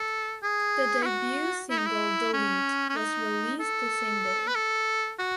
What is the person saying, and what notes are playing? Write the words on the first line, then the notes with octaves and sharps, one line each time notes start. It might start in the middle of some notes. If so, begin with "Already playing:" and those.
The debut single "Delete" was released the same day.
Already playing: A4
G#4
E4
F#4
E4
D#4
E4
C#4
C#4
D#4
A4
B4
A4
F#4